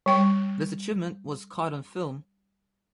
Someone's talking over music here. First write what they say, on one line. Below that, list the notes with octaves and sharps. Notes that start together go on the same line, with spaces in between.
This achievement was caught on film.
G3 G5